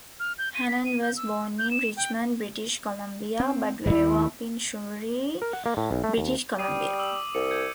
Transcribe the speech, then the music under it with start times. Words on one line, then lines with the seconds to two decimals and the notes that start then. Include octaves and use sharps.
Hannan was born in Richmond, British Columbia, but grew up in Surrey, British Columbia.
0.20 F6
0.38 G6
0.55 D#7
0.68 B6
0.85 D#7
1.02 G6
1.17 E6
1.59 G6
1.71 E7
1.97 G5
3.40 C4
3.85 D1 D#2 E4
5.42 A#4
5.53 F#5
5.66 A#3
5.77 A2
5.91 B1
6.04 A3
6.18 D#2
6.59 G3 D#6 C7 D#7
6.99 D6 E6 F#7
7.34 C2 C#7
7.50 G6 G#6 C#7